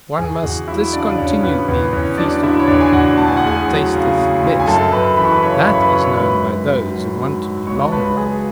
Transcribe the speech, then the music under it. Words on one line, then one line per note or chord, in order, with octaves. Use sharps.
One must discontinue being feasted upon when one tasteth best: that is known by those who want to be long loved.
E2 G#4 G#5
E2 F#4 F#5
F#3 E4 E5
C#3 D4 D5
D5
E2 C#4 C#5
E2 B3 B4
E2 B3 B4
E2 C#4 C#5
F#3 D4 D5
D3 E4 E5
C#5
E2 D4 D5
G#5
E2 F#4 F#5
D2 A5
G#5
F#5
D2 G#4 G#5
F#3
C#3
D2
D2
G#5
F#2 A4 A5
A5
F#2 B4 B5
E3 B5
C#6
B4 B5
C#3 C#5 C#6
F#2 B5
C#6
B4 B5
F#2 C#5 C#6
C#6
G#2 B4 B5
F#3
G#2
F#3
G#2
F#3
C#2 C#5 C#6
A5
C#2 B4 B5
F#3 G#4 G#5